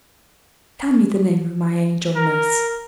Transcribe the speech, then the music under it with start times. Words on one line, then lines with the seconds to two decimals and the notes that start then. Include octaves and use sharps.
"Tell me the name of my angel nurse."
2.17 A#4